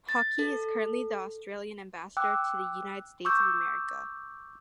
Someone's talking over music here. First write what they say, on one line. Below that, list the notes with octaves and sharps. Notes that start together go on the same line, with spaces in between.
Hockey is curreny the Australian Ambassador to the United States of America.
A6
A4
G5 D6 E6 F#6
C#6 D6 E6 G6